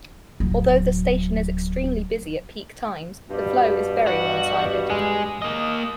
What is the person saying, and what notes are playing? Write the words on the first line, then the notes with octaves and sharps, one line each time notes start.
Although the station is extremely busy at peak times, the flow is very one-sided.
D1 F#3
G2 B2 G3
F#4
G#3 G#4
A#3 D#5